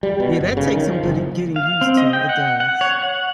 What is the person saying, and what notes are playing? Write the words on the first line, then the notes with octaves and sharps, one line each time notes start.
Yeah, that takes some good at getting used to, it does.
G3
B2
G1
C#3
D#3
F3
F#1
F5
C4
D#5
G5
F#5
F#5
C#5
F#5